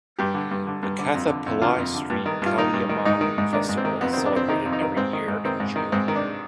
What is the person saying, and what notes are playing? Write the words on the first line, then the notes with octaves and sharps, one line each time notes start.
The Kathapillai street Kaliamman festival is celebrated every year in June.
G2 G4
D3
G2
D3
G2
D3
F2
D3
F2
D3 F4
F2
D3
G2
D#3
G2 F4
D#3 D#4
G2
D#3
G#2 D#4
D#3
G#2
D#3 D4
G#2
C4
D#3
F2 B3
D#3 C4
D4
F2 C4
D#3 D#4
F2
D#4
D#3
G#2 C4
D#3
G#2
D#3 C4
G#2
D#3
G#2 C4
D#3
D4